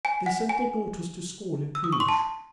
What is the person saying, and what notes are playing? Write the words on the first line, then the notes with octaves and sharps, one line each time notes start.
They sent their daughters to school in Bruges.
G#5
F#5
G#5
E6
D#6
C#6
C6
A5